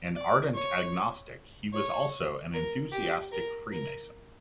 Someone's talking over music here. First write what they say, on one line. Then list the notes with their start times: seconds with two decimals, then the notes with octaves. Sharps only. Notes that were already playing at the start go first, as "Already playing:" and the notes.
An ardent agnostic, he was also an enthusiastic freemason.
0.16 D5
0.55 C#5
1.74 C#5
2.53 A#4
2.92 G4
3.32 A#4
3.72 A#4